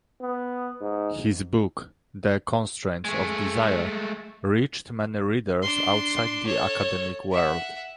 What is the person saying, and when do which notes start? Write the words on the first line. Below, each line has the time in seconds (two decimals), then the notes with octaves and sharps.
His book "The Constraints of Desire" reached many readers outside the academic world.
0.21 B3
0.81 G#2
3.05 G#3 A3
5.63 D4 C6
6.46 A4 C#5
7.31 E5 F#5